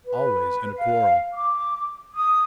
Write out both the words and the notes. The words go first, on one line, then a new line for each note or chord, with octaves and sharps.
Always in a quarrel.
B4
F5
D6
D#6